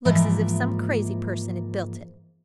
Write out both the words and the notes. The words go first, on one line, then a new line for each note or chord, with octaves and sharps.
Looks as if some crazy person had built it.
G#2 E3 F3 A#3 E5